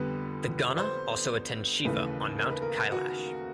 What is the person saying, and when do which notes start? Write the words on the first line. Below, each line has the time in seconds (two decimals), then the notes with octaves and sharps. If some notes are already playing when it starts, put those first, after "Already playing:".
The gana also attend Shiva on Mount Kailash.
Already playing: F2 D3 G3 B3 B4
0.78 C5
1.85 D#2 C#3 E3 A3 B4
2.38 A#4
2.50 B4
2.62 A#4
2.92 F#4